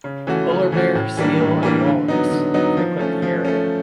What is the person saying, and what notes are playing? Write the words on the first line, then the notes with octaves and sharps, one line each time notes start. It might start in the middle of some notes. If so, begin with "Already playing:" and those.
Polar bear, seal, and walrus frequent the area.
C#3
E3 A3 C#4 F#4
C#3
E3 A3 C#4 F#4
A2
E3 G3 A#3 D4
A2
E3 G3 A#3 D4
D3
F#3 B3 D#4
D3
F#3 B3 D#4
F3
A3 C#4
F3
A3 C#4